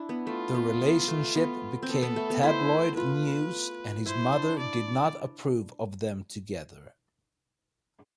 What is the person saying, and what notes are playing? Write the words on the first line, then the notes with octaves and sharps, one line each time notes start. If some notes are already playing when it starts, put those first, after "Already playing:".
The relationship became tabloid news and his mother did not approve of them together.
Already playing: D4 E4
B3
A3 F4
B3
B3
A3
B3
C4
B3 A4
B3
A3
B3
E4 C5
F4 B4
E4 C5
D4
D5